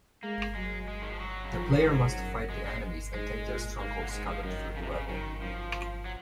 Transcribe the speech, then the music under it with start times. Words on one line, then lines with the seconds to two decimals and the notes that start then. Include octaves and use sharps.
The player must fight the enemies and take their strongholds scattered through the level.
0.23 G#3 A#3
0.55 F#3 G#3
0.88 G#3
1.02 D#3
1.12 F3
1.20 F#3
1.44 C#3
1.52 F3
1.58 D#3
1.72 F3
1.85 G#2 F#3
2.17 F#2
2.50 G#3
2.65 G#3
3.14 G#2 G#3
3.47 A#2
3.79 G#2 A#3
4.02 F#3
4.11 G#2 G#3
4.28 F3
4.44 F#2 D#3
4.76 F2 C#3
4.83 C3
4.91 C#3
5.09 F#2 D#3
5.41 F#2 F3
6.05 F#3